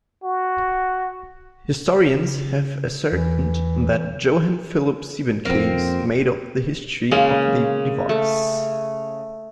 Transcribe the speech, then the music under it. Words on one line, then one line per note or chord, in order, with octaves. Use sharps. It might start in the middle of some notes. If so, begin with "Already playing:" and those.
Historians have ascertained that Johann Philipp Siebenkees made up the history of the device.
F#4
C#3
E2 E3
F2 A#3 C4
C#3 G#3 A#3 G#4
A3